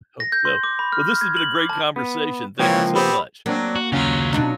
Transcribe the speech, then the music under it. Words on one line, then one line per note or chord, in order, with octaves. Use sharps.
Hope so. Well, this has been a great conversation. Thank you so much.
A#6
G6
C6
D6
B5
F6
F6
G#6
F#7
D6
A5
B3
C#2 E3 F3 A#3 F4 C#5 G5
B3 C4 G4 B5
F#3 A#3 C4 D4
F#4
D#2 C#3 F#3 C#4 F4
B2 D4 D#4